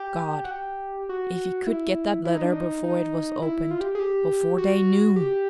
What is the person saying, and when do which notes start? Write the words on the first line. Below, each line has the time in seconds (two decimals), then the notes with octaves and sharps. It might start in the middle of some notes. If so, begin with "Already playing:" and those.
God, if he could get that letter before it was opened--before they KNEW!
Already playing: G4
0.44 F#4
0.51 G4
1.09 F#4
1.67 E4
2.25 E4
2.35 D#4
2.43 D4
2.52 D#4
2.84 D#4
3.42 E4
3.71 F4
3.80 G4
3.95 G#4
3.99 G4
4.58 F#4
5.16 G4